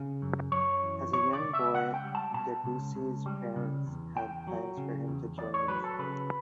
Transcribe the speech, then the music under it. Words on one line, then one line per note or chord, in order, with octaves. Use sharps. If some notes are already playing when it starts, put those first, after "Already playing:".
As a young boy, Debussy's parents had plans for him to join the navy.
Already playing: C#3
F#2
F#2 C#5
E3
B2 C#5
D5
C#2
E5
C#2 F#5
G5
G3
A5
B2 A5
C#2
C#2
G3
C#3
E2
E2 G5
F#3
C#3
E2
E2 D5
C#5
F#3 B4
A4
C#3 B4